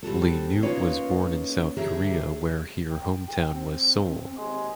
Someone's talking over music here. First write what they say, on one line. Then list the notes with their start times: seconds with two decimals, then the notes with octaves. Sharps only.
Lee Noot was born in South Korea where here hometown was Seoul.
0.03 G3 C4 F#4 A4
0.62 A#3 C#4 D#4 F4 B4 C#5
1.77 D3 F#3 G4 G#4 E5 A#5
2.90 G5
3.53 C4
4.36 G#1 D#2 G#3